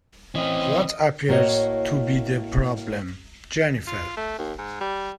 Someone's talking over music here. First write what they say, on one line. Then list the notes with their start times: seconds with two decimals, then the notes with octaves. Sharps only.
What appears to be the problem, Jennifer?
0.35 E3 C4 C#4 D#5
1.29 A2 A#3 F#4 C#5 D#5
3.87 F4
4.17 A3
4.39 D#2
4.58 G#2
4.81 G3